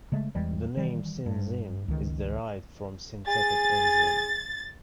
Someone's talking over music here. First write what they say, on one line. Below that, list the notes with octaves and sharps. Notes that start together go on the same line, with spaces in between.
The name synzyme is derived from synthetic enzyme.
C#3 G#3 A3
E2 E3 G3 G#3
D#3 E3 G3
G2
C#2 D#3
G#4 A6